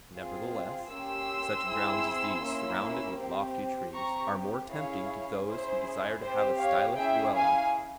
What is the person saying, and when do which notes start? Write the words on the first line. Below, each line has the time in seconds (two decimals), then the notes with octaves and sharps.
Nevertheless, such grounds as these, surrounded with lofty trees, are more tempting to those who desire to have a stylish dwelling.
0.16 C4 F4 G#4
0.92 A#3 C#4 G4 C6 E6
1.68 C4 E4 G#4
2.43 A#3 C#4 E4
3.19 C4 G4
3.94 C4 G4 A#5 C#6
4.69 C#4 E4 G#4 C#5 F5
5.45 C#4 E4 G#4 C5
6.21 C4 G4 C5
6.59 C#5 F5
6.96 C#4 E4 G#4 E5 G5
7.34 F5 G#5